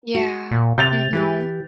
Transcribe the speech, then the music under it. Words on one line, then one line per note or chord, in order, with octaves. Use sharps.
Yeah. Mhm.
F#4
A#2
C3 G6 A6 F7
E3 E4 G4 B4